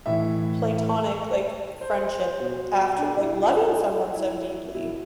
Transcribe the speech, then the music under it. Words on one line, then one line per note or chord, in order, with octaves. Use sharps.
platonic, like, friendship after, like, loving someone so deeply.
A2 E3 E5
C5
B2
D4
E4
F4
E4
B2 E4